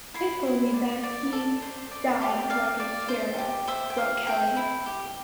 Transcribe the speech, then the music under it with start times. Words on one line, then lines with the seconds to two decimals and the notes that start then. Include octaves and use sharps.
'They told me that he died like a hero,' wrote Kelly.
0.14 E4 C6
0.45 E4
0.74 D5
1.03 D5
1.33 A4
1.62 C5
1.91 D5
2.21 G4
2.50 D5 F5
2.80 D5
3.08 C5
3.38 G4
3.67 C5 E5
3.90 G5
3.97 C5 F5
4.27 C5 G5
4.56 E4
4.86 G4